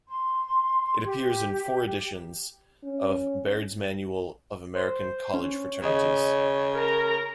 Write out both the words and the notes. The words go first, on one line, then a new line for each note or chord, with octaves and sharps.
It appears in four editions of "Baird's Manual of American College Fraternities".
C6
G4
C#4
C5
C#4 C#5
D#2 C#3 D#5
A#4 A#5